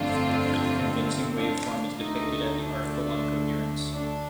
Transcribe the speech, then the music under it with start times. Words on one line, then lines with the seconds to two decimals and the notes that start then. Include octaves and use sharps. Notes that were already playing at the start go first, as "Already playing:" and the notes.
A convincing waveform is depicted at the article on coherence.
Already playing: G1 F2 D3 A3 C4 D4 F4
1.33 D4 F4
1.99 D2 D3 A3 D#4
2.63 D4
3.92 D4